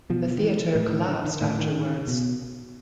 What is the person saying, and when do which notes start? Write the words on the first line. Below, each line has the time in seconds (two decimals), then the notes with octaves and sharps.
The theatre collapsed afterwards.
0.10 B2 F3
0.37 D#3
0.43 E3
0.75 A2 E3
0.93 D#3
1.08 D3
1.25 D#3
1.41 A2 D#3
1.51 D3
1.58 D#3
2.08 B2